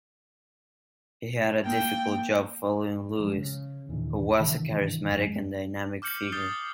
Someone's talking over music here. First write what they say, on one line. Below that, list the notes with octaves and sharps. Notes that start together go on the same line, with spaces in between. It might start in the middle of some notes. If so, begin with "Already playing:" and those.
He had a difficult job following Lewis, who was a charismatic and dynamic figure.
A#3 G5
F3 G#3
C#3
D#2 A#2 D3 E3
G2 C3 D#3 E3
F#2 F#3 G#3
D6 F6 G6 C#7 F#7
D#6 G6 A6 C7 G7